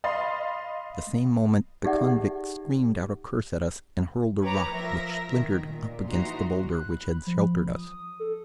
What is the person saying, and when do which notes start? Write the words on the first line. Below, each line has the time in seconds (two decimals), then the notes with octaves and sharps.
At the same moment the convict screamed out a curse at us and hurled a rock which splintered up against the boulder which had sheltered us.
0.04 D#5 F5 B5 C6 A6
1.84 D#4 G4 G#4 D5 E5 F#5
4.42 B4 C#5 G5 A#5 D6
4.73 F3 A#4 E5 A#6
5.32 D#3
5.67 A#2
6.08 E3 D#4 F#4 A#5 C6
6.69 F#6
6.91 B5
7.27 F3
7.75 D#6
8.20 A4